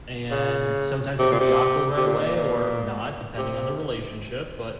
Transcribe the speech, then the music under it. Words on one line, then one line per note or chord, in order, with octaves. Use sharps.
and sometimes it could be awkward right away or not depending on the relationship, but,
C#3
C3
A#2
C3
C3
A#2
C3